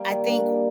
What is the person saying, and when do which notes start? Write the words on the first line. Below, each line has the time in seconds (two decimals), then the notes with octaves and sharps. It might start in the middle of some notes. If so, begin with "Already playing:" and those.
I think
Already playing: G3 A#3
0.09 D#3
0.27 G3 A#3 D4
0.44 D#3